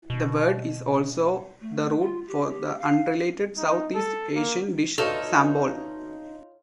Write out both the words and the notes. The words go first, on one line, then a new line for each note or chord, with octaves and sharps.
This word is also the root for the unrelated South East Asian dish sambol.
B2
A3
F4
G4
G4
F5
D#4
A4
A#3
D2 B2 A3 D#4 F4 A4 C#5